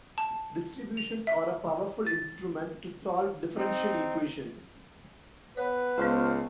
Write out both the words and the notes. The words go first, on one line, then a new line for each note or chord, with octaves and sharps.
Distributions are a powerful instrument to solve differential equations.
A5
F7
E5
A6
C4 D#4
B3 B4 C#5
C#2 B3 F4 C5 F5